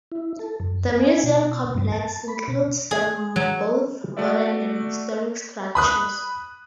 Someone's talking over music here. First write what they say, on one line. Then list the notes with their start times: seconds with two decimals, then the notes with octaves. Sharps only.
The museum complex includes the both modern and historic structures.
0.12 E4
0.39 A4
0.60 F#2
0.98 G#5
1.23 B2
1.75 G2
1.92 A5
2.28 B5
2.48 B2
2.91 G#4
3.36 F#3
4.17 A3 F#4 D5 E5
5.75 B5 D#6 F#6